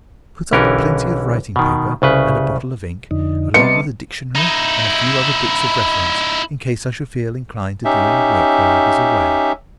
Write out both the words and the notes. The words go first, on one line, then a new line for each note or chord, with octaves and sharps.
I put up plenty of writing paper and a bottle of ink, along with a dictionary and a few other books of reference, in case I should feel inclined to do any work while I was away.
B1 D3 E3 C#4 G4 A#4
B2 D#3
C2 C#3 B4
F2 D3 D#4
C3 G3 B3 D#5 A5 C6 C#7
D#4 E4
C#4 D#4 G4 E5